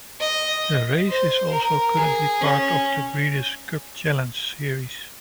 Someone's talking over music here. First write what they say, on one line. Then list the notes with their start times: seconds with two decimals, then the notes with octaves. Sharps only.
The race is also currently part of the Breeders' Cup Challenge series.
0.21 D#5
1.09 C5
1.53 A#4
1.97 G#4
2.41 C#4